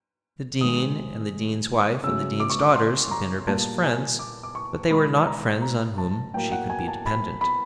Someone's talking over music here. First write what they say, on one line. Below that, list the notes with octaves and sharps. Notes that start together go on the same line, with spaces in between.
The dean and the dean's wife and the dean's daughters had been her best friends, but they were not friends on whom she could be dependent.
C3 D#3 G#3 D#6
C#3 F#3 A3 E6
D6
C#6
D6
C6
A#5
A#2 G3 A#3 A5
G#5
D6
D6
C#6
B2 G#3 B3 B5
A#5
A#5
A5
A2 F#3 A#3 G5
F#5
G#5
A5
B5
B5